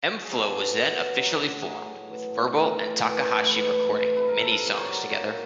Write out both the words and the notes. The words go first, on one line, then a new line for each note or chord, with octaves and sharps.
M-Flo was then officially formed, with Verbal and Takahashi recording many songs together.
F#3 G#4
A4
B2 G#4
F#3
B2
F#3
A2
F#3 G#4
A2
E3
A2
E3 A#4
A2
E3
A2
E3 B4
A2
E3
C3 B4
A#4
E3 A4
A#4
C3
C5
C#5
F#3 D5
A#2 C#5